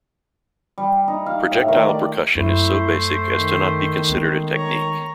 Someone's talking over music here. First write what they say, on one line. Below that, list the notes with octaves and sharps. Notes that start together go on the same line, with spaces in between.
Projectile percussion is so basic as to not be considered a technique.
G3
D#4
F5
A2
D#3
D5
F#2 A3 E4 C5
D#3
G#3 B3
C#5 A#5